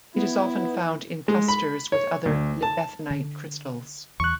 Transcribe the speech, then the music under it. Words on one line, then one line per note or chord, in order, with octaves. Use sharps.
It is often found in clusters with other libethenite crystals.
B3 E4
G#3
B5
C#5
D2
A5
D3
E2 C#6 F#6